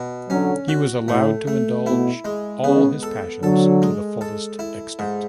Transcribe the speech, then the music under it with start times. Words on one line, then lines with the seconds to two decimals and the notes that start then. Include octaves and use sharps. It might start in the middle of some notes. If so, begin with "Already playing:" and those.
He was allowed to indulge all his passions to the fullest extent.
Already playing: B2
0.29 D3 F#3 C#4
0.68 F#4
1.08 A2 A3
1.47 A3
1.86 B2 E4
2.25 G#3
2.64 C#3 B3
3.03 A4
3.42 D3 F#3 A4
3.82 G#3
4.21 A4
4.59 E4
4.99 G#2